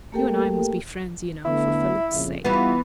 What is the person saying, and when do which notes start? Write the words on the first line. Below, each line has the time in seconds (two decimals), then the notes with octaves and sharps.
"You and I must be friends, you know, for Philip's sake."
0.12 A3 A#3 G4 A4 A#4 G5
1.45 D3 A3 B3 E4
2.11 F2 A#2 C#3
2.44 E3 G3 B3 E4 F4